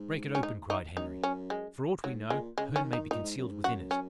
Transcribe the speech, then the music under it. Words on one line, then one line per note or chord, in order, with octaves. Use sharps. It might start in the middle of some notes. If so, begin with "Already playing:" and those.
"Break it open," cried Henry; "for aught we know, Herne may be concealed within it."
Already playing: G#2
C#4
D#4
D#4
F#2 D#4
C#4
G#3
G#2 F#3
A#2 G#3
C#3 G#3
D#3
C#4
D#3
D#4
D#3
A#2 D#4
G#2
F#2
G#2
F#2 F#4
C#4